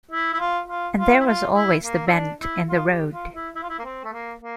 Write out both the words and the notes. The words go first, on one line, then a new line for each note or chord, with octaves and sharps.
And there was always the bend in the road!
E4
E4
F4
F4
F4
E4
F4
E4
A#3
E4
D4
E4
F4
G4
F4
E4
E4
F4
E4
A#3
C4
A3
A#3
A#3